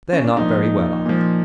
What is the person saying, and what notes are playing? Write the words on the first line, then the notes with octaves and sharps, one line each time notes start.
They're not very well off.
C#4
D4
A#2 F3 D#4
A#2 F3